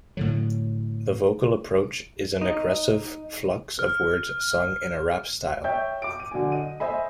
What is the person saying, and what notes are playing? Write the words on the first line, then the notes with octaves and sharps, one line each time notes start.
The vocal approach is an aggressive flux of words sung in a rap style.
A2 D3 F#3
D#4
F6
C#5 E5 G5 G6
D6 D7
D#7
D3 F#3 G#5
D#5 D#7
C5 D#5 E5 G#5 B5